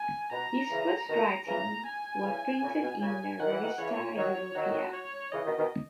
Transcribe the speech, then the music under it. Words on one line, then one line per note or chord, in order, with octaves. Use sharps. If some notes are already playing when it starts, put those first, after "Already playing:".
His first writings were printed in the "Revista Europea".
Already playing: G#5
B2 A#5
C#3 E3
B2 D#3 A#5
C#3 E3 A#5
G#5
C#3 E3
A#2 C#3
B2
A#2 C#3 G#5
D#3 F#5
E3
B2 D#3
C#3 E3 C#5
D#3 F#3 C#5
D#3 F#3 F#4
C#5
C#3 E3 D#5
B2 D#3
B2 D#3